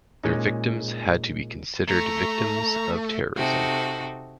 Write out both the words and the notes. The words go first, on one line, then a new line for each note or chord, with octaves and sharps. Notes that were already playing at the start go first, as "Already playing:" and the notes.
Their victims had to be considered victims of terrorism.
A#2 G#3 C#4 D#4
A3 A#5
C3 D#4 F#4 A4